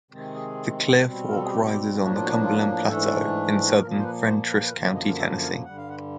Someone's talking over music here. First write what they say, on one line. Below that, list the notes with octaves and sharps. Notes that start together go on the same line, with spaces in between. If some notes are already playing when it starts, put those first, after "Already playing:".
The Clear Fork rises on the Cumberland Plateau in southern Fentress County, Tennessee.
C3 D#3 G#3 C4
G#4
B2 G3 C4
A#4
A4
G#4
G4
G4
A2 F3 A#3 D4 F#4
F4
F#4
F4
G#2 E3 A3 D4 A4
A#2 F3 A#3 A#4
C5
B4
C5
B4
B4
F#2 D3 F3 A#3 A#4
D5
D#5
F5
E5
F5
G2 D3 G3 F#5
F5
F#5